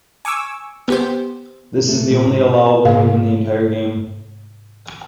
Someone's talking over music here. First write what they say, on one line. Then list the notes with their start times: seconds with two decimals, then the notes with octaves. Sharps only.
This is the only allowable move in the entire game.
0.25 G#5 C#6 D6 E6
0.88 B3 G4 C5
1.88 A3
2.11 A#2
2.26 G#2
2.85 G#2 C3 F5